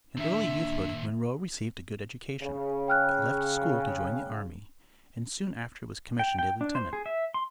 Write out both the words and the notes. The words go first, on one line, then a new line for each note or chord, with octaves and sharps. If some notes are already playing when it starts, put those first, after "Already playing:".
In early youthhood Monroe received a good education, but left school to join the army and soon after was commissioned a lieutenant.
D#2 A#2 D4 E5 E6
C#3
G5 F6 F#6
G5
G5
D4
C5
G#4
E5
C6